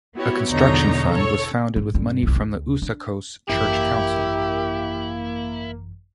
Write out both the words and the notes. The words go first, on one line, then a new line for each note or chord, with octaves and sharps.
A construction fund was founded with money from the Usakos church council.
B3 E4 F#4 G4 C#5
B1 E2 D3 D#4 C#5 A#5
A4 C#5
G#2
G2 D3
C2 F#2
D2
D4
G#1 F#2 E3 A#3 E4 G4